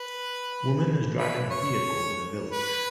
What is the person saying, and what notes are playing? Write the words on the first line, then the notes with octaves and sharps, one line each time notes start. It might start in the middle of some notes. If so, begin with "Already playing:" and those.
Woman is driving a vehicle in a village.
Already playing: B4
B4
C#5
B4